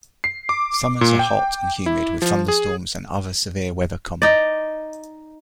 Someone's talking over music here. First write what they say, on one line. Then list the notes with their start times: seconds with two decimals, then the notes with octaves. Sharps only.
Summers are hot and humid, with thunderstorms and other severe weather common.
0.24 C7
0.49 D6
1.01 A#2
1.19 G5
1.86 E4
2.22 F3
2.48 G#4
4.22 D#4 D5